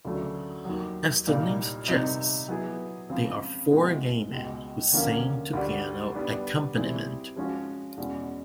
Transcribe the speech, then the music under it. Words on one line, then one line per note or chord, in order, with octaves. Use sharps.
As the name suggests, they are four gay men who sing to piano accompaniment.
D2 C#3 F#3 A3 D4
D#2 D#3 F#3
C2 A#2 G3 A#3 D#4
C3 D#3 G3 C4 D#4
F#3 B3 E4 G#4
C#3 F3 G#3 C4
B2 G#3 C4 E4
C#2 B2 G#3
D#2 D3 F3 A#3 C#4
D2 D3 G3
G3 B3 D4
G3 C4 E4 G#4
F3 G#3 C#4 F#4
E2 B2 G#3 C#4